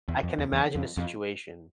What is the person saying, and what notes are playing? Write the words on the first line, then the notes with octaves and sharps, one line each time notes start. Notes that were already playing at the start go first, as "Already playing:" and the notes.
I can imagine a situation
E2
F2
E2
E2
F2
F2